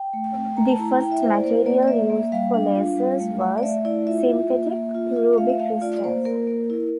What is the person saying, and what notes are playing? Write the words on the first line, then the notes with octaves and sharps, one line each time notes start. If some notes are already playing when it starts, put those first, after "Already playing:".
The first material used for lasers was synthetic ruby crystals.
Already playing: G5
A3
A3
A3 A#5
A5
E4 A#5
E4 G5
E5
E4 C5
D5
A#3 C5
A#3 D5
D5
A#3 E5
A#3
G3 F5
D4
F4
G3
A3
A3
D5
A3 E5
E4 D5
F4 E5
F4
A#3
A#3
F4
F4
A3 F5
E5
A3 F5
F4 D5
D5
A#3 C5
A#3 A#4
A#3
E4